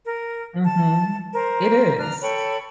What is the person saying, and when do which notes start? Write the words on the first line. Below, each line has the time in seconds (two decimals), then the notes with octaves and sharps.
Mhm, it is.
0.05 A#4
0.63 A5
1.34 A#4 C5
1.99 D4 A#5 F6
2.21 A4 C#5 G5 B5